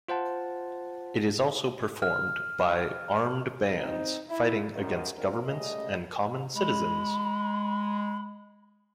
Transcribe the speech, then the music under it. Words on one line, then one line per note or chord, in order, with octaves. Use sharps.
It is also performed by armed bands fighting against governments and common citizens.
F4 C5 F#5 A5
F6
C4 D#4
E4
C#2 F#2 D#3
G#2 F3 C4 D4 A#4
C#2 G3 A3 C#4 G#4 D#5
G#3 B5